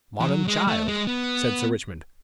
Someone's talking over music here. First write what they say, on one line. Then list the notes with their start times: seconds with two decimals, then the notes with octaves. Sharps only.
"Modern child," said Sir Richmond.
0.21 E3
0.29 F#3
0.48 G#3
0.67 A3
0.88 G#3
1.07 B3